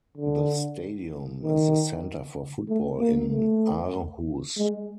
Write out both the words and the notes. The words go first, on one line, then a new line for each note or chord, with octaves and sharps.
The stadium is the center for football in Aarhus.
D3
D#3
A3
A#3
A3
G#3